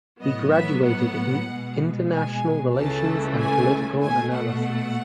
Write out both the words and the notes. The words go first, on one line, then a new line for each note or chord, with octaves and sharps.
He graduated in International Relations and Political Analysis.
A2 F#3 B3 D#5
E5
F#5
B2 G#3 B3
G#5
C#2 C#3 E3 A3 A5
G#5
B2 A3 G#5
F#5